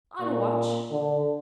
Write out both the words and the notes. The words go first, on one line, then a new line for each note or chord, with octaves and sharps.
"On a watch."
A#2
D3